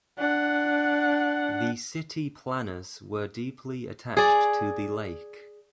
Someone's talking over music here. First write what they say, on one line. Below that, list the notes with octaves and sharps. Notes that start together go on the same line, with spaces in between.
The city planners were deeply attached to the lake.
D4 F#5
G#4 D5